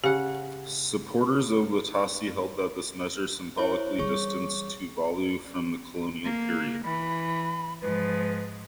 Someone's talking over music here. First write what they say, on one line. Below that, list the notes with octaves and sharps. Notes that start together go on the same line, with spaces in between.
Supporters of Latasi held that this measure symbolically distanced Tuvalu from the colonial period.
C#3 G4 F#5
E4 C5 C#5
E3 G3 G#4 C#5 C#6
A#3
E3 B5
G#2 F3 B4